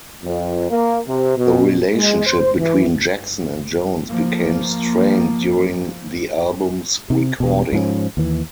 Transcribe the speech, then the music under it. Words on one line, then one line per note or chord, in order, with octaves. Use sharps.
The relationship between Jackson and Jones became strained during the album's recording.
F2
A#3
C3
B2
G#3
C5
E3
F3 A#3
C3
E1 B2
G#2 F3 F#3 C#4
D#2 E3